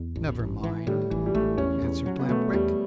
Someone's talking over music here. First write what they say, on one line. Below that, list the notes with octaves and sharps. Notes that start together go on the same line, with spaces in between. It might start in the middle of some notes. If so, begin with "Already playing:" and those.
"Never mind," answered Lamp-Wick.
Already playing: E2
A1
A1
E3
A2 G3
A1 E3
G3
A1 A3
E2 C#4
E2
F#3
B3
B2 A3
E2 G3